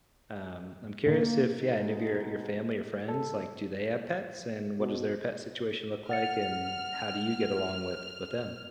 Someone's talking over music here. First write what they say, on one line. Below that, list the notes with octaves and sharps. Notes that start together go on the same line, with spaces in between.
um, I'm curious if yeah, any of your your family or friends, like, do they have pets, and what does their pet situation look like, and how do you get along with with them?
A2 D3 A#3
B2 G#3 D#4
A4
B2
F#5 F6 A6 C#7